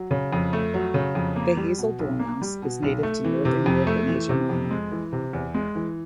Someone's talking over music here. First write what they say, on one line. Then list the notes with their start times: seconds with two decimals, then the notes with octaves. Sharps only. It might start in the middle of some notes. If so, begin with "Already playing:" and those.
The hazel dormouse is native to northern Europe and Asia Minor.
Already playing: F#3
0.11 C#3
0.33 F2
0.53 A3
0.74 F#3
0.94 C#3
1.15 F2
1.36 A#3
1.57 G3
1.78 B2
1.99 B1
2.19 A#3
2.42 G3
2.62 B2
2.83 B1
3.03 A3
3.24 E3
3.45 C3
3.66 F2
3.87 A3
4.08 E3
4.29 C3
4.49 F2
4.71 G#3
4.92 E3
5.13 C3
5.33 E2
5.54 G#3
5.75 E3